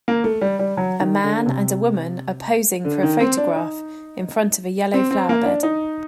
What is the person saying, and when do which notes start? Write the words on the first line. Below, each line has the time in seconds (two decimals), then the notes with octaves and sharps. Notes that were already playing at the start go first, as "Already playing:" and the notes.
A man and a woman are posing for a photograph in front of a yellow flowerbed.
0.08 A#3
0.24 A3
0.41 G3
0.59 G3
0.77 F#3
1.00 D#3
1.24 D3
1.46 C3
2.85 D3
3.03 D#3
3.20 C4
3.37 D4
3.55 D#4
4.94 C4
5.11 C4
5.29 A#3
5.45 D4
5.63 D#4